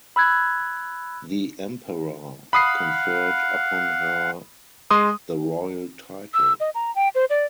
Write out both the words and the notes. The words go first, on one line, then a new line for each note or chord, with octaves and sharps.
The emperor conferred upon her the royal title.
B5 E6 F#6 G#6
F5 F#5 B5 D#6 C7
G#3 C6 D#6
E6
D#5
A#5
G5
C5
D5